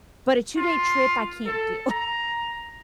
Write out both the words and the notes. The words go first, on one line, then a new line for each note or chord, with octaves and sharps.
but a two-day trip, I can't do.
F4
A4
A#5